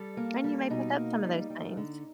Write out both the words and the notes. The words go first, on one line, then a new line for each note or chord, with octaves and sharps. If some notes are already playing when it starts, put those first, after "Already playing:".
And you may pick up some of those things.
Already playing: G3 A4
A#3
G3
B2 D#4
A#3
G3
G3
D3